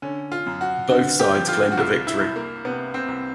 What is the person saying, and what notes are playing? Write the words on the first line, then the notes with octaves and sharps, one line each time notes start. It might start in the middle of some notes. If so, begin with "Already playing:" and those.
Both sides claimed a victory.
D3 C#4
F4
F#2
F#4
D3 F#4
G4
F3
F4
F#4
C2 F4
E4
C2
A#3
C3 B3
C4
C2